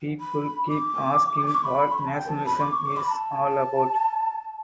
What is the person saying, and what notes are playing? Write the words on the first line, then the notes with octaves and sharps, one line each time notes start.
People keep asking what nationalism is all about.
B5
D6
D6
C#6
B5
C#6
B5
A5
G5
A5
B5
D6
C#6
D6
B5
A5